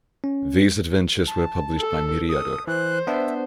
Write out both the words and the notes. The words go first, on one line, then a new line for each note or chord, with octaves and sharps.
These adventures were published by Myriador.
C#4
A5
A4
A4 D#6
E3 C5 F#6
B3 D4 E5